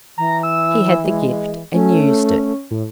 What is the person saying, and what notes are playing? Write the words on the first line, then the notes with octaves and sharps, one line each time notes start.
He had the gift and used it.
E3 A#5
E6
G#3
A3 C#4
A2